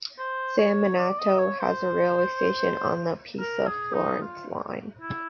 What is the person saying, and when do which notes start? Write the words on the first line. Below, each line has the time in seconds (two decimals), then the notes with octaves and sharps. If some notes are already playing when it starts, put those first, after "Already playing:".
San Miniato has a railway station on the Pisa-Florence line.
0.18 C5
0.58 C#5
0.98 D5
1.18 D#5
1.39 C#5
1.59 C5
3.40 A#4
3.67 G#4
3.93 D#4
4.21 F4
5.01 E4